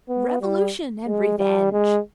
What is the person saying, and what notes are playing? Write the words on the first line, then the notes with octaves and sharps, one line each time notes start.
Revolution and Revenge!
B3
G3
G#3
G3
G#3